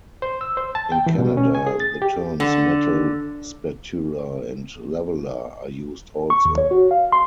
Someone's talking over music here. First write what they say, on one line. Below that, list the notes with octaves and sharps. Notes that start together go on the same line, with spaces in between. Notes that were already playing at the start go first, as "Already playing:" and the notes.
In Canada, the terms metal spatula and leveler are used also.
C5
E6
C5
A5
G5
E3
B2
C#4
G#5
G#4
A6
G4
D3
C#6
D#2
C#5
F#4
F5
C6